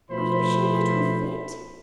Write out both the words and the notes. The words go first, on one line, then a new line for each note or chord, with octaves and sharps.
Are you sure it will fit?
B2 F3 A3 E4 C5 B5